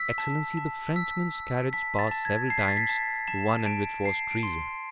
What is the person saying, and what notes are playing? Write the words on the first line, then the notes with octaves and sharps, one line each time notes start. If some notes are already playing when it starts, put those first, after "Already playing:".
"Excellency, the Frenchman's carriage passed several times the one in which was Teresa."
Already playing: E6 B6
A5
A5
E6 B6
E6
A5 B6
A6
A5
G#6
A5 C7
B6
A6
B6
A5
A5 E7
A5 D7
A5 C7
D7
C6